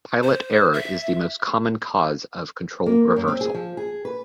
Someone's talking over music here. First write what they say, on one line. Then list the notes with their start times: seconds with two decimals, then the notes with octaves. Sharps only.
Pilot error is the most common cause of control reversal.
0.23 C5
0.73 E5
2.86 A#3
3.16 F#2
3.28 C4
3.41 G#4
3.54 F3
3.77 G#4
4.05 B4